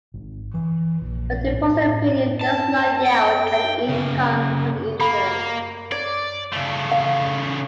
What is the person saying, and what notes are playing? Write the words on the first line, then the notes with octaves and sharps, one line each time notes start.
The deposit premium does not yield any income to the insured.
G#1
E3
A#1
A2
A5
G5
G5
C#3 A#3
A#3 B5
C#5 D5
C#3 A3
F5